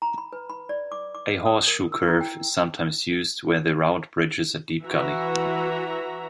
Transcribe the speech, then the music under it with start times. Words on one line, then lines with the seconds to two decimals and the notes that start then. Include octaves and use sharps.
A horseshoe curve is sometimes used where the route bridges a deep gully.
0.02 A#5
0.18 B5
0.33 B4
0.50 B5
0.69 D5
0.92 D6
1.15 D6
1.46 D#6
1.68 A#4
1.92 E6
2.08 E4
2.21 G5
4.83 E3 F#4 E5 A#5